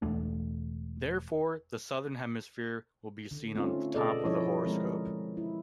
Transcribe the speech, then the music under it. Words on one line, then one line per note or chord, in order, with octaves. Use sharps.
Therefore, the southern hemisphere will be seen on the top of the horoscope.
E1 E2 A3 D4
D3
A3 C4 C#4 D#4 F4
B2 B3 G#4 A4 D5 D#5
F3 D4 E4 C#5 D#5
D3 F3 G#3 C4 G#4 A#4
E4